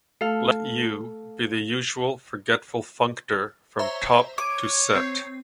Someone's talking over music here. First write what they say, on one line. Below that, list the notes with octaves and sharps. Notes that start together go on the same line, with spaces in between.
Let "U" be the usual forgetful functor from Top to Set.
A3 A4 F5
C5 C#5 E5 A#5
C#5 D6 G#6 D#7
C4